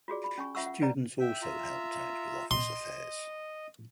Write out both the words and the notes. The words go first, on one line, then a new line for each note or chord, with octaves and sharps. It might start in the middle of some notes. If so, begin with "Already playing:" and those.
Students also helped out with office affairs.
F4 F#4 G#4 D5
B5
C#4 G#5 C#6
C#4 F4 E5 F#5 C#6 E6
F#5
C#4 D4 B4 D5 A#5
E5 G5
F4 E5 A#5
D#5 C6